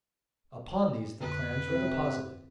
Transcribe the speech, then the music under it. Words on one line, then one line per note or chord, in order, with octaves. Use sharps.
Upon these the clams were deposited.
F2 D3 B4
C3 C4 A4